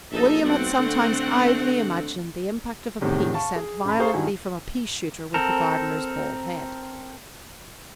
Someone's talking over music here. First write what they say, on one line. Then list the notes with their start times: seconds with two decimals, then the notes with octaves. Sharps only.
William had sometimes idly imagined the impact of a pea sent violently from a pea-shooter with the gardener's bald head.
0.12 A#1 D#4 A4 E5
0.41 B1 A3 C4 F#5
0.79 D3
3.01 E2 A2 C3 D#3
3.33 F5 A5 C#6
3.56 G#4
3.85 A1 B5
3.99 G#4 A4 C5 F5 A#5 C#6
4.14 G2 D#3 E4 F#4 G#5
5.34 C4 A4 A#4